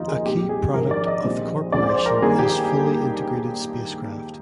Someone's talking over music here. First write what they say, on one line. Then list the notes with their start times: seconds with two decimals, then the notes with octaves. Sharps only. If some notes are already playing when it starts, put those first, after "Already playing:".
A key product of the corporation is fully integrated spacecraft.
Already playing: F1 D#2 D#3 A#3 D#4 F4
0.08 G#4
0.25 C2 A#2 G#3 G4
0.49 G#4
0.74 A#1 G#2 D#3 A#4
0.91 D5
1.07 D#5
1.23 A#1 A#2 G3 C4
1.72 D2 D3 F3 G#3 C4 D5
1.89 C5
2.06 A#4
2.22 G2 D#3 A#3 G#4
2.39 G4